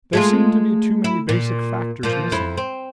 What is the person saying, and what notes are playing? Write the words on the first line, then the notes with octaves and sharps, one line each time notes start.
There seem to be too many basic factors missing.
G#3 A3 F4
E4
A#2
A#2 F3
F2 E4
C4